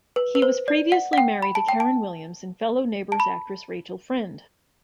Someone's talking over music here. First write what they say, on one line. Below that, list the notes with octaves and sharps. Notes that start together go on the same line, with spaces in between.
He was previously married to Karen Williams and fellow "Neighbours" actress Rachel Friend.
B4
B4
C5
D5
F#5
F#5
G5
B5
A5
G5
A5
A5
B5